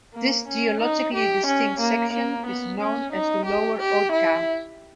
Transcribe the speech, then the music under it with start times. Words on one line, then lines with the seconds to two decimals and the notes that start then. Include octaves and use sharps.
This geologically distinct section is known as the lower Oatka.
0.14 A#3
0.48 C#4
0.81 D#4
1.14 G4
1.47 C#4
1.80 A#3
2.13 A#3
2.47 B3
2.80 C#4
3.13 D#4
3.46 G4
3.79 G4
4.12 E4